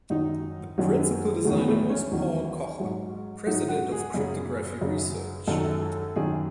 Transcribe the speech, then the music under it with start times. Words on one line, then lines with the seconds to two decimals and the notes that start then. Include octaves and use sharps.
The principal designer was Paul Kocher, president of Cryptography Research.
0.10 F#2 D#3 F#3 D#4
0.78 F#2 D#3 F#3
1.45 E2 D#3 F#3 A3
1.57 B3
1.68 A3
1.90 C#4
2.12 E2 D#3 F#3
2.80 G#2 F#3
3.46 G#2 F#3 D#4
3.68 F#4
3.92 G#4
4.14 F#2 C#3 F#3
4.81 F#2 C#3 F#3
5.48 F#2 D#3 F#3 A4
5.82 A4
6.16 F#2 D#3 F#3 G#4